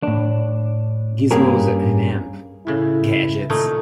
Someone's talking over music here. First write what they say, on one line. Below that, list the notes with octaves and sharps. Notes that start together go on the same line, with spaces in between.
Gizmos and amp; Gadgets!
A2 D4
G2 A#3 C#4 G4 G#4 A#4
A2 C#3 E4
A#2 A3 D#4